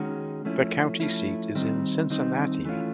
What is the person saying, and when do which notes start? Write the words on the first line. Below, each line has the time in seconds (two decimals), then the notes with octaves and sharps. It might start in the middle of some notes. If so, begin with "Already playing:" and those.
The county seat is Cincinnati.
Already playing: D#3 G#3 C#4 F#4
0.45 F3 A3 C#4 E4
1.00 F3 A3 C#4 E4
1.55 D#3 G3 C4 D#4
2.10 D#3 G3 C4 D#4
2.65 E3 A3 C#4 F4